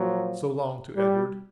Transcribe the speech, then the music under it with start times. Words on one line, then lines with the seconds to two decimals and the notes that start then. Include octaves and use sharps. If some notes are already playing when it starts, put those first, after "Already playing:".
"So long," to Edward.
Already playing: A#2 F3 F#3
0.96 G3